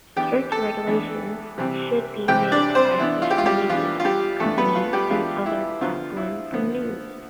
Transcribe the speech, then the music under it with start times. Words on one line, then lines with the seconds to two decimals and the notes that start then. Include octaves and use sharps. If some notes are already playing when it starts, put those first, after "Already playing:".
Strict regulations should be made by social media companies and other platforms for news.
0.16 E3 B3 D4 G4 G5
0.52 A4 A5
0.87 E3 B3 D4
1.58 C3 E3 G3 C4
2.28 C3 E3 G3 C4 G4 G5
2.52 D4 D5
2.75 C4 C5
2.99 E3 B3 D4 E4
3.22 F4
3.30 G4
3.38 F4
3.46 G3 G4
3.69 E3 B3 D4 F4
4.00 F4
4.05 G3 G4
4.40 E3 A3 B3 D4 A4
4.58 B3 B4
4.75 F4
4.93 G3 G4
5.10 E3 B3 D4 F4
5.46 E4
5.81 D3 F3 B3 F4
6.17 E4
6.52 D3 F3 B3